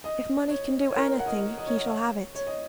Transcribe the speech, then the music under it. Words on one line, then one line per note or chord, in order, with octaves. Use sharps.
"If money can do anything, he shall have it."
D#5
C#5
C#5
A#4
F#5
D#5
D#5
C#5
D#5
C#5
C#5
D#5